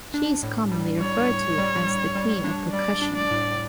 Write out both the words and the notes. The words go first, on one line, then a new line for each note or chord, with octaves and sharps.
She is commonly referred to as The Queen of Percussion.
D4
A2
G3
G3 C#5
A2
G3
G3
G3
D4
G3 D5
D4
D5
A2